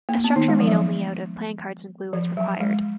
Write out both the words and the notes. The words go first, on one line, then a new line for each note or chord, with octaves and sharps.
A structure made only out of playing cards and glue was required.
A#3
B3
D#3 D#4
G#3
F3
F#3
F3
F3
F#3
G#3